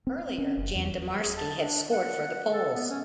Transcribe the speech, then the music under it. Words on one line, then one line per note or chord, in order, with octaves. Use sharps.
Earlier, Jan Domarski had scored for the Poles.
C4
C#4
F#1
E2
G#4
A5
D4
F#5
A4
B3
C#4